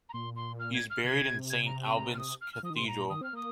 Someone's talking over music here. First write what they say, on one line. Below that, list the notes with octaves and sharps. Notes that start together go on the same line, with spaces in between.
He is buried in Saint Albans Cathedral.
A#5
A#2 C6
C6
F6
G#6
F6
C3 G#6
G#6
A#5
C6
A#5
F6
D#6
F6
F6
F3 D#6
D#3
C6
C3
A#2 A#5
A#2
D#3 D#6
C4 F6
A#3 D#6